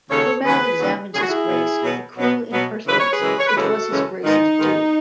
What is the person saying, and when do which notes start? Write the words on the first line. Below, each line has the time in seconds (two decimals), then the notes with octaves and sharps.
Brummell examined his Grace with the cool impertinence which was his Grace’s due.
0.09 D#2 C#3 F#3 A4 C#5
0.44 D#2 C#3 F#3 G#4 B4
0.80 D#2 C#3 F#3
1.13 D#2 C#3 F#3 G#4
1.21 F#4
1.27 E4 G#4
1.48 B2 F#3 B3
1.82 B2 F#3 B3
2.17 B2 F#3 B3
2.51 B2 F#3 B3
2.86 F#2 C#3 E3 G#3 C#4 B4
2.99 C#5
3.10 G#4 B4
3.20 F#2 C#3 E3 G#3 C#4
3.38 C#5
3.46 B4
3.54 F#2 C#3 E3 G#3 C#4 F#4 A4
3.90 F#2 C#3 E3 G#3 C#4
4.23 G#2 D#3 G#3 B3 D#4
4.58 G#2 D#3 G#3 B3